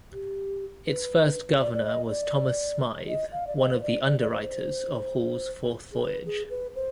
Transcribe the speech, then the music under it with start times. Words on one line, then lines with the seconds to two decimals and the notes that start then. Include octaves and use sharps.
Its first governor was Thomas Smythe, one of the underwriters of Hall's fourth voyage.
0.13 G4
0.87 B4
1.61 D5
1.74 D5
1.85 D#5
2.10 D5
3.08 D#5
3.32 F5
3.47 D5
3.57 D#5
3.73 C5
3.82 D5
4.06 D5
4.21 D5
4.31 C5
5.92 G#4
6.01 B4
6.26 G#4
6.50 B4
6.75 C5